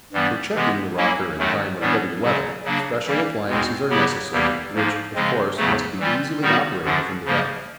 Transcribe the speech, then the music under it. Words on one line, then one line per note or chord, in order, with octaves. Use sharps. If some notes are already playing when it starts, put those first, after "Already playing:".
For checking the rocker in time of heavy weather special appliances are necessary, which, of course, must be easily operated from the deck.
G2 E3 G3 B3
C3 E3 G#3 B3
F#3 A#3 C#4 E4
F#2 D#3 F#3 A3
A2 E3 G3 B3 D4
F#2 C#3 F#3
C#3 F#3 A#3 D4
E3 G3 A#3
E2 B2 G#3 C4
C#3 F#3 B3 E4 G4
E2 C3 E3 G3 A#3
G#2 F3 A#3
C#3 F3 G#3 C4
E2 C#3 F#3 A3
E3 G3 C4 F4
D#3 G3 B3 D#4 F#4
F#2 D3 F3
C#3 F3 A#3